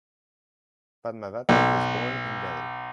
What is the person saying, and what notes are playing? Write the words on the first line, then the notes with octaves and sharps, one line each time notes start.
Padmavati was born in Delhi.
B1